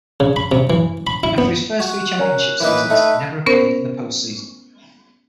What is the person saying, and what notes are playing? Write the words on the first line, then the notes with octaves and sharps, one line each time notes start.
After his first three championship seasons, he never appeared in the postseason.
C#3
B5
C3
E3
B5
E4
B3
F#4 F#6
C#4 A#4
E3 A#3 D#4 B4
A3 D#4
B3 C#4 A#4 C5